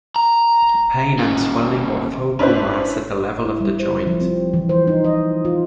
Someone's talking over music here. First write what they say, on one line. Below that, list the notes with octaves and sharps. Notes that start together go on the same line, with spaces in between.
Pain and swelling or focal mass at the level of the joint.
A#5
D#2 C#4
C#4 D4 E4 B4 C5
E4
G3
C5
F3
C4
E3
C5
D#4
D#5
F4